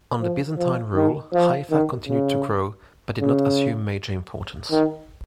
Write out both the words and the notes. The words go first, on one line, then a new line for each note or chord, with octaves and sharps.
Under Byzantine rule, Haifa continued to grow but did not assume major importance.
F3
F3
D#3
F3
D#3
C#3
C#3
D#3